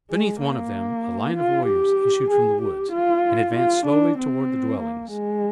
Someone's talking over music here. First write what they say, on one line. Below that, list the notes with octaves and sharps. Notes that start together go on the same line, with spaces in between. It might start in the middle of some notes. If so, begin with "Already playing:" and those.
Beneath one of them, a line of warriors issued from the woods, and advanced slowly toward the dwellings.
G#3
A#3
F4
G4
G#4
G4
F4
F4
D4
C4
A#3
G#3